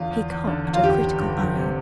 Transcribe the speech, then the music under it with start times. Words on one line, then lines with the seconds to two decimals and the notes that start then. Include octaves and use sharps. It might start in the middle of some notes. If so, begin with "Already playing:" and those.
He cocked a critical eye.
Already playing: E2 D3 F4
0.11 E2
0.29 E2
0.47 D3
0.65 E2
0.73 F4
0.83 G1 G4
1.01 G1
1.19 G1
1.37 G1
1.55 C3